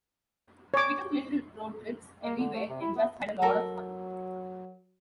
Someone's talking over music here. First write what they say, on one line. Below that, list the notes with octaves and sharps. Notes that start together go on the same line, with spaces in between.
We took little road trips everywhere and just had a lot of fun.
C#5 D6
A#3
D3
A3
C3
E4
B3
F#3 A4 A#4